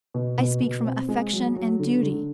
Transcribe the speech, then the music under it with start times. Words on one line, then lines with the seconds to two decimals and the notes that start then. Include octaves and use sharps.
I speak from affection and duty.
0.14 B2
0.38 B2
0.62 B2
0.85 C4
1.09 G#3
1.33 F#3
1.56 F#3
1.79 D3
2.03 D3